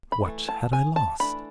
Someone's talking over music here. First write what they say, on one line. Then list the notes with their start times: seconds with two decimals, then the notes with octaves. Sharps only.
What had I lost?
0.12 B5
0.26 E3 A3
0.49 A5
0.73 G#5
0.96 A5
1.20 E3 A3 D4 B5